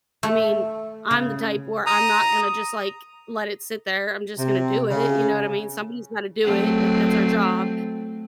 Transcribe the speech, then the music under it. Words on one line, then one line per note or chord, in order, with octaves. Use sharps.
I mean, I'm the type where I'm not gonna just, like, let it sit there, I'm just gonna do it, you know what I mean? Somebody's gotta do it, like, that's our job,
A3
C#3
A#5 D#6
C3
C#3
F#3 A3 C4